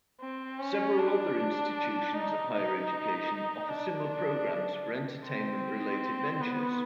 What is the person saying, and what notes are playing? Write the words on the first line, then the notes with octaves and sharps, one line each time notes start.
Several other institutions of higher education offer similar programs for entertainment related ventures.
C4
C#4
D4
D#4
D#4
D4
C4
B3